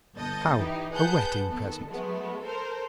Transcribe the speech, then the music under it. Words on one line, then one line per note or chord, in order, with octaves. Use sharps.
"How a wedding present?"
G1 B3 A4 D#5 G6 A6
E3 D#4 E4 G4
G#4 B4 F#5 A5 G6
D#3 B3 A4
F#3 G#3 A3 B3
A4 A#4 C5